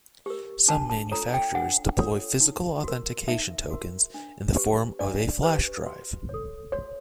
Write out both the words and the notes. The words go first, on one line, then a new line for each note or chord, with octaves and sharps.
Some manufacturers deploy physical authentication tokens in the form of a flash drive.
G4 A#4
D4 A5
A5
F4 A4 C#5 A#5
G5
D4 F#5
F4 A4 C#5
D#4
F#4 A#4
D#4 E5
F#4 A#4
D4
G4 B4
D4 D5
G4 B4
F#4
A4 C#5
F#4 C#5